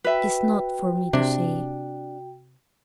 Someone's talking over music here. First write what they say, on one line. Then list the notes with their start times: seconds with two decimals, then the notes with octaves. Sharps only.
"It is not for me to say."
0.04 F#4 B4 E5 G5
1.13 C3 D4